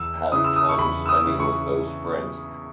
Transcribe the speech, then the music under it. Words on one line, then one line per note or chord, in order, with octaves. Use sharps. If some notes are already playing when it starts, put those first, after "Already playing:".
have time spending with those friends.
Already playing: E2 E6
C#3 E3 D#6
E6
D#6
C#6
E2 B5
E6
D#6
C#3 E3
C#6